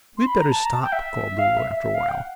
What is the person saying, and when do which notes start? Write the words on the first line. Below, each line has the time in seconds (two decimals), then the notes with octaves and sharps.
"We had better stop," called Lulu, after a while.
0.17 C6
0.27 B5
0.39 A#5
0.51 A5
0.64 A#5
0.73 A5
0.83 G5
0.92 E5
1.38 F5
1.57 E5
1.76 E5
1.94 F5
2.09 G5
2.13 F#5